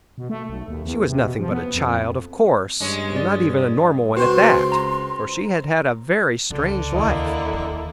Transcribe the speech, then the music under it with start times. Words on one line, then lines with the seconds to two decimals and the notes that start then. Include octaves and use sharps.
She was nothing but a child, of course, and not even a normal one at that, for she had had a very strange life.
0.18 B2
0.30 A3
0.50 B1
0.68 D#2
0.85 E2
1.08 C3
1.22 B2
1.40 F3
1.51 B3
1.75 F2
2.80 G2 G#3 C#4
3.16 D5
4.16 C#2 C4 F#4 B4 C5 C6
4.72 A#5
6.50 C#2 D3
6.92 D#2 A#3 E4 D#5
7.53 E3